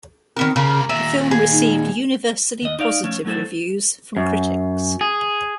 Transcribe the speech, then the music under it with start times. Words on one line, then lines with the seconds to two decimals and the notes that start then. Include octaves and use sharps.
The film received universally positive reviews from critics.
0.37 D#3 B3 C4 A#4
0.56 C2 C#3 A#3 A#5
0.89 D#2 A#2 E5
1.31 G#4
1.52 D#4
2.62 D#2 D#5
2.79 D#4 D5 F5
3.03 F3 A3 C#4
3.25 F#3 A3 E4 A4 C5
4.17 F#2
5.01 G#4